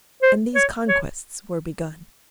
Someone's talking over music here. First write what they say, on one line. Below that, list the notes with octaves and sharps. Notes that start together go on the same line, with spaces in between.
And these conquests were begun.
C5
C#5
C#5